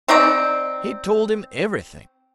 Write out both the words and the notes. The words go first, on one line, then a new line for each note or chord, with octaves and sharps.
He told him everything.
C4 D#4 D5 A#5